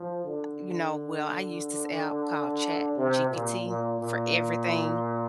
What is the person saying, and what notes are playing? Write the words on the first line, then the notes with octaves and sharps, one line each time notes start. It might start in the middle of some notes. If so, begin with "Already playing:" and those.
you know, well, I use this app called ChatGPT for everything.
Already playing: F3
D3
C3
A#2
A#2
A#2